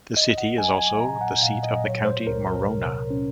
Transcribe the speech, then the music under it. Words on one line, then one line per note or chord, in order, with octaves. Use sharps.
The city is also the seat of the county Morona.
A#1 D#5
F#5
F#3 G#5
G#5
A#2 A#5
F#5
A#2 F5
D#5
F#3 C#5
C5
C#2 A#4
A#4
C3
C#4